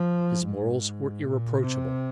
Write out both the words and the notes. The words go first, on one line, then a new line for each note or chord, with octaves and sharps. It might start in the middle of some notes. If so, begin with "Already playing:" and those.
His morals were irreproachable.
Already playing: F3
G#2
A#2
C3